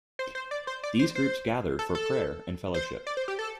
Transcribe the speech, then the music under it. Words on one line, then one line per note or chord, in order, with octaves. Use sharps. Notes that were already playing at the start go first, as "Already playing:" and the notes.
These groups gather for prayer and fellowship.
C5
C5
D5
C5
D5
C5
C5
A4
A4
C5
D5
C5
G4
A4